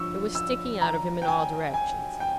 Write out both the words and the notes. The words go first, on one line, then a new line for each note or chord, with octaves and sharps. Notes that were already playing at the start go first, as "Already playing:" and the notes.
It was sticking out of him in all directions.
Already playing: G2 F3 C#6 E6
E6
A#5
G5
G#5
G#5
G5